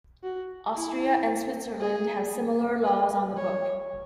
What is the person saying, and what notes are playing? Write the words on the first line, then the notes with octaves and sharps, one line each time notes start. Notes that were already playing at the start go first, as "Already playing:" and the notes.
Austria and Switzerland have similar laws on the book.
F#4
E4
G#4
B4
C#5